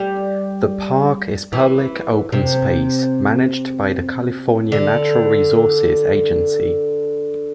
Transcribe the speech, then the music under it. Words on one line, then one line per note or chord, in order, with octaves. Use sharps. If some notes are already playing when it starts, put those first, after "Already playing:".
The park is public open space, managed by the California Natural Resources Agency.
Already playing: G3
E3
C3
D3